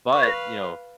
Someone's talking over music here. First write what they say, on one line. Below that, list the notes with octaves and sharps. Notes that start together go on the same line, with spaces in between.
but, you know,
B4 F5 C#6